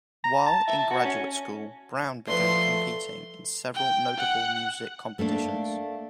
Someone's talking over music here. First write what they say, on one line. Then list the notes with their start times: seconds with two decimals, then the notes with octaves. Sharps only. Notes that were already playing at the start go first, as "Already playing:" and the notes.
While in graduate school, Brown began competing in several notable music competitions.
0.24 A#5
0.46 A5
0.67 E5
0.79 A5
0.91 F#4
1.05 C#4
2.28 F3 A3 B4 D5 C6
3.74 G5
4.18 F#5
5.19 A3 A#3 D4